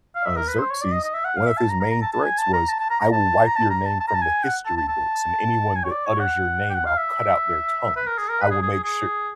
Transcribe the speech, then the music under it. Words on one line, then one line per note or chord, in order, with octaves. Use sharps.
uh, Xerxes, one of his main threats was, "I will wipe your name from the history books and anyone that utters your name, I'll cut out their tongue. I will make sure
F5
E5
A#4
B4
C5
C#5
D5
D#5
D#5
E5
F#5
F5
E5
A5
A#5
A#5
A#5
A5
A5
G#5
A5
A#5
A5
A5
A#5
A#5
A5
A#5
A5
A#5
A5
A5
A#5
A5
G#5
F#5
A5
A5
A5
G#5
C#5
D5
C#5
F#5
G5
F#5
F5
E5
B4
A#4
G#4
A#4
B4
G#4
G#4
G#4
G#4